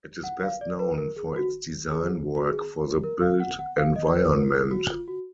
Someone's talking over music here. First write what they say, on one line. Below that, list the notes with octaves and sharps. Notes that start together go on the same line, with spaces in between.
It is best known for its design work for the built environment.
F#5
F5
D5
B4
A#4
G#4
F#4
G#4
F#4
G#4
A#4
F5
F#5
F#5
F5
D#5
D5
B4
A#4
G#4
F#4
F4
F#4